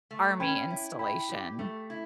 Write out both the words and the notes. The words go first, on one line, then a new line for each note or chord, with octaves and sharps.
Army installation.
A3
C#4 G5 B5
E4
E4 G5 B5
G4
A3
E4